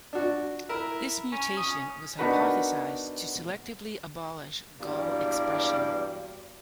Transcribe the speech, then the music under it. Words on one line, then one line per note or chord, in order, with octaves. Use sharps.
This mutation was hypothesized to selectively abolish Gal expression.
D4 F#4
E4 A#4
C#4
C#4 D#6
B3 D4 D#4 F#4 A#4 B4
E2 G2 F#3 G3 A#3